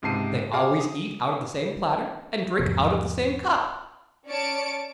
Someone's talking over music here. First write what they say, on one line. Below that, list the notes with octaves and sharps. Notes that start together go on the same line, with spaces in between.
They always eat out of the same platter, and drink out of the same cup.
C#2 G#2 C3 A5 C7 D#7
F#4 G#4 D5 F5 D6
D#6
E2 G#2 C3 F3
C#4 C#5 D5 A5 C#7 D7